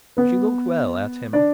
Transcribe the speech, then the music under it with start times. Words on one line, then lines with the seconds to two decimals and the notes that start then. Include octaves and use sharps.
She looked well at him.
0.17 B3 B4
1.33 D4 D5